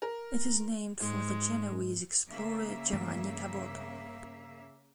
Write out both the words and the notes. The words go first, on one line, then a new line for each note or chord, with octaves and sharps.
It is named for the Genoese explorer Giovanni Caboto.
A#4
G#2 G#3 C6
C#3 A#3 E5
G2 E3 A3